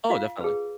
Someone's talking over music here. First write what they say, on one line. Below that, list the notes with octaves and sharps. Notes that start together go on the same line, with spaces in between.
Oh, definitely.
F4 F5
G#4 B4